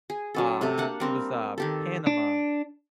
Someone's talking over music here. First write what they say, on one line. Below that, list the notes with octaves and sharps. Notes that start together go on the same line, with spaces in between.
um, it was, uh, Panama,
G#4
F#3 C#4 A4
C3 A3 A4
A#3 D4 F#5
G3 C4 A#4
D#3 G4 A4
D4